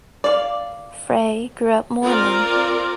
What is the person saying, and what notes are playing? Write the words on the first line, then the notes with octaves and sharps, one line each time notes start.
Frey grew up Mormon.
D5 F5
C4 F4 A#4 D5